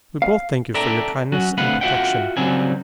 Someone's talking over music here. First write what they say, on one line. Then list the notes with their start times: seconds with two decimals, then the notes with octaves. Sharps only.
We both thank you for your kindness and protection.
0.22 F5
0.74 A4 A#4 D5 E5 G5 A#5
1.32 F#3 C#4 F#4
1.57 D2 A3 C4 B4 F5 F#5
1.81 F4 F#4 A4 E5 F#5 G5
2.37 C#3 F#3 G3 C4 G#5